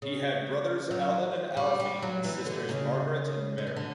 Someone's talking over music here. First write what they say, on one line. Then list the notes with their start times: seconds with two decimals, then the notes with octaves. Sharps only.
He had brothers Alan and Alfie and sisters Margaret and Mary.
0.02 C#3
0.91 F#3
1.57 G3
1.80 G3
2.02 F#3
2.24 E3
2.46 D3
2.69 C#3
3.58 D3
3.67 E3
3.76 D3